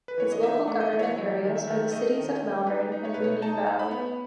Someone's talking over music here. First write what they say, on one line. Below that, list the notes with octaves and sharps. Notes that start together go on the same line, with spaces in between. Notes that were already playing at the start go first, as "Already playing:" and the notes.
Its local government areas are the Cities of Melbourne and Moonee Valley.
B4
E3 C#5
D#5
D#4 E5
A3
D#5
E3
C#5
F#3
D#3
E5
D#3
A3 D#5
D#3
C#4
D#4 B4
D#4
C#5
B2 B4
C#5
D#4 A5
D#4
B5
B3